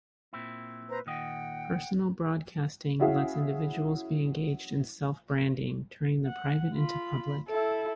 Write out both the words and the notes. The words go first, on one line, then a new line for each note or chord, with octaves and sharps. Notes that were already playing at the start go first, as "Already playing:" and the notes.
Personal broadcasting lets individuals be engaged in self-branding, turning the private into public.
A#2 C4 E4
B4 C5 A#5
A#2 D#3 D#5 F#5 G5
C#4 E4 F#4 G#4 E5 F5
F#5
F4 B5
E4 A4